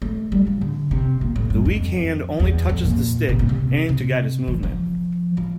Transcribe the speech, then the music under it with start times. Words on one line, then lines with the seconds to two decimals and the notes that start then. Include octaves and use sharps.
The weak hand only touches the stick and to guide its movement.
0.02 A3
0.32 G3
0.47 F3
0.61 D3
0.91 C3
1.21 A#2
1.36 A2
1.50 G2
1.65 F2
2.40 E2
2.69 F2
2.85 A#2
3.29 C3
3.39 A#2
3.49 C3
3.89 C3
4.48 E3
4.63 F3
5.37 F3